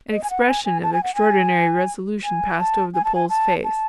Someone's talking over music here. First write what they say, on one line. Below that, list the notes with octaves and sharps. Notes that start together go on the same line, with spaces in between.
An expression of extraordinary resolution passed over the Pole's face.
D#5
G#5
F#5
G#5
G#5
A5
G#5
F#5
G#5
G#5
A5
G#5
A5
G#5
A5
A5